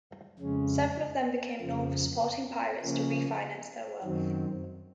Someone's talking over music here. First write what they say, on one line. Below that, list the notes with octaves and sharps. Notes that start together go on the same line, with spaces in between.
Several of them became known for supporting pirates to refinance their wealth.
F2 C#3 G#3 C#4
F2 C#3 F3
C#3 F3 A#3 C#4
F#2 D#3 F#3 C4